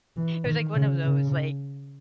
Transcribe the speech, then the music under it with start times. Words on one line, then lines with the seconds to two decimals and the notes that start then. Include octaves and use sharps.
It was, like, one of those, like
0.16 E3
0.45 D#3
0.74 C#3
1.03 C#3